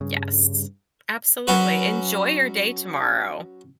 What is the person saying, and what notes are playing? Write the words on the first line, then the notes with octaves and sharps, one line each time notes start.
Yes. Absolutely, enjoy your day tomorrow.
G2 C#3
F#3 C#4 F#4 B4